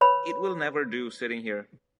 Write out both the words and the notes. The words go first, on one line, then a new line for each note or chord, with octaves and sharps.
It will never do, sitting here.
B4 C#5 B5